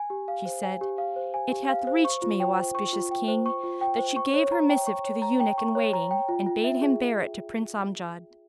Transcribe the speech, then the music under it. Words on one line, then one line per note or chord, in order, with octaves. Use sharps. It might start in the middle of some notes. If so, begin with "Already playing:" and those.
She said, It hath reached me, O auspicious King, that she gave her missive to the eunuch in waiting and bade him bear it to Prince Amjad.
Already playing: G#5
G4
F5
C5
G#5
G4
F5
C5
G#5
G4
F5
C5
C#6
F4
G5
C5
C#6
F4
G5
C5
C#6
F4
G5
C5
C#6
C#5
A#5
G5
C#6
C#5
A#5
G5
C#6
C#5
A#5
G5
F4
F4
E5
G#4